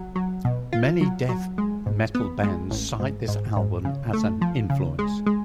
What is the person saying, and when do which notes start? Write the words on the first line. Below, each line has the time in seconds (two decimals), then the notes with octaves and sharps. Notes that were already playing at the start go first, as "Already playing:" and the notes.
Many death metal bands cite this album as an influence.
Already playing: F#3
0.16 F#3
0.45 B2
0.73 F4
1.01 F#3
1.29 F#3
1.58 G#3
1.86 G#2
2.15 B3
2.44 G#3
2.71 A1
3.00 G#2
3.28 G#2
3.56 G#2
3.85 C#3
4.13 A3
4.41 F3
4.70 C#3
4.99 G#3
5.26 G#3